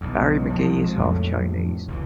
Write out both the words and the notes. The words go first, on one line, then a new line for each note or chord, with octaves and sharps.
Barry McGee is half Chinese.
B1 E2
F3 G#3 B3 C4
F2 A2
C#2 C#3 E3